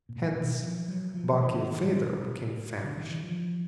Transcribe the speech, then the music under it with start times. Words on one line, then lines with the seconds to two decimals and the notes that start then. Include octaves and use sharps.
Hence Barkilphedro became famished.
0.09 A#2
0.16 A2
0.23 A#2
0.35 B2
0.61 F3
0.88 F#3
1.14 F3
1.31 F3
1.40 E3
1.65 D#3
2.84 D3
2.97 D#3
3.10 E3
3.24 F3